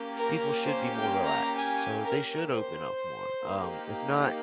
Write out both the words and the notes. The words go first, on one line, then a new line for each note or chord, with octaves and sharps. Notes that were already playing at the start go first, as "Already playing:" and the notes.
people should be more relaxed, so they should open up more, um, if not,
Already playing: A#3 C#4 G4
A#4
C5
G5
A#5
G#5
A#4
C5
A#3 D#4 G4